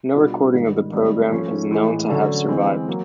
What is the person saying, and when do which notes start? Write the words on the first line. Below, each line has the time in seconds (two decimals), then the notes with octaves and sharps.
No recording of the program is known to have survived.
0.14 B2 G3 B3 D4 F4
0.54 G#2 D#3 G3
0.92 G#2 D#3 G3 C4
1.31 F3 A3 C#4
1.71 A2 E3 G#3
2.09 D3 F#3 A3 C#4
2.49 E3 G#3 C4
2.88 F#3 A#3